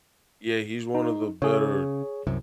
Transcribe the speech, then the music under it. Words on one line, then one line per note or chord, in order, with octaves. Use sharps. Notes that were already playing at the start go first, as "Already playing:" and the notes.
Y Yeah, he's one of the better
D#4
C#3 G#4 C#5
C2 F#2 C3